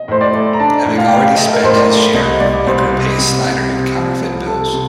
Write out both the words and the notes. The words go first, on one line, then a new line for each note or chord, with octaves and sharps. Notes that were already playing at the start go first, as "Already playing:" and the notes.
Having already spent his share, Hooker pays Snyder in counterfeit bills.
Already playing: D#5
A2 C5
D5
A3
A#5
D4 A5
A2
F5
G5
A2 F5
A3 D#5
A#4
A2 C5
D5
A3
C2 D#5
C2 D5
C2 C5
C3
C3
C2
C3
F3
C2
C3 A4
C3